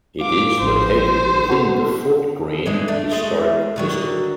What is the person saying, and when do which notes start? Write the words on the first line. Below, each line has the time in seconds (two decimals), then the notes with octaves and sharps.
It is located within the Fort Greene Historic District.
0.21 F4 D6
0.60 A1 F3 C5
1.48 B3 F#4 A4
2.66 D3 E3 G#3
2.88 A3 D4
3.12 G#3 A3
3.76 D3 D#3 F#3